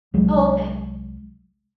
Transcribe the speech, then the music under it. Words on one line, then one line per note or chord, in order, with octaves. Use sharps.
Oh, okay,
C2 F#3 G#3